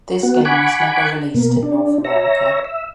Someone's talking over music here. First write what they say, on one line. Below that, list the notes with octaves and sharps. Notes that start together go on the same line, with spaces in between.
This game was never released in North America.
B3 F#4
F#5 G#5 B5 C#6 D6
B2 A#3
D4
C#5 E5 A#5
E5